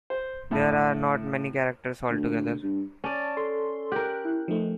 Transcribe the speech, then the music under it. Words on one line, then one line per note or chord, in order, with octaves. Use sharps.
There are not many characters altogether.
C5
A2 E4 A5
D2
G2
C#4 D5 A5
A4 C6
G4 A#4 F#6
E4
F3 A3 D#4